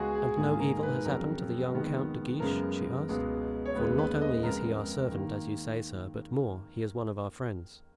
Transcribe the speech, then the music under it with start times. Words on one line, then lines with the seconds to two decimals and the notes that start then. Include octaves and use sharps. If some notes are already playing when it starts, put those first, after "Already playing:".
"And no evil has happened to the young Count de Guiche?" she asked; "for not only is he our servant, as you say, sir, but more--he is one of our friends."
Already playing: C#2 C#3 G#3 B3 F#4 G#4
0.15 G#4
0.37 G#2 D#3 A#3 G#4
0.59 A#4
0.83 B4
1.05 F2 C#3 F#3 B3 A#4
1.72 F2 D#3 G#3 B3
2.40 F#2 C#3 G#3 B3 A#4
3.09 C#2 B2 G#3 B3
3.66 C#5
3.75 D#2 C#3 G#3 B3 B4
3.99 B4
4.21 D#5
4.43 F2 C#3 G#3 B3 A#4
5.11 D#3 A#3